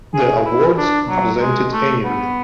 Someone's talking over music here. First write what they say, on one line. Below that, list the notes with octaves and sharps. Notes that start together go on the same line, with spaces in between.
The awards are presented annually.
G#4
E4
D4
F#3
G#3
A3
B3